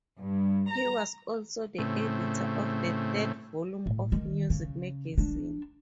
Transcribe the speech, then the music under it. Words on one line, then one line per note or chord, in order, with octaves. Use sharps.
He was also the editor of the third volume of Music Magazine.
G2
A#5
A2 C#3 A3 C4
A2
D#3
C#3
D4